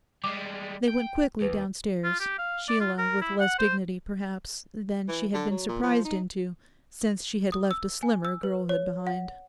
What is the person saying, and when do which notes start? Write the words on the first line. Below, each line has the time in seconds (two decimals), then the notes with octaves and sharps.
They went quickly downstairs, Sheila with less dignity, perhaps, than she had been surprised into since she had left a slimmer girlhood behind.
0.24 G3 G#3 D6
0.88 G5
1.42 D#2 B4
2.04 F4
2.20 G4
2.38 F5
2.68 D5
2.80 F4
2.98 A#4
3.21 E4
3.40 F#5
3.59 C5
5.08 E3
5.34 D3
5.50 F#3
5.68 A#2
5.83 F3
6.05 D#4
7.52 D#6
7.71 E6
8.03 G#5
8.25 E6
8.43 B4
8.69 C#5
9.07 F#5